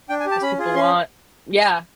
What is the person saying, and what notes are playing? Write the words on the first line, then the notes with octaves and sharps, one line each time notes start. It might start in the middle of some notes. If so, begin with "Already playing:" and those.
as people want. Yeah.
D4 G5
G#5
G4
A5
C#4 B5
F4 G#4
C#4 C6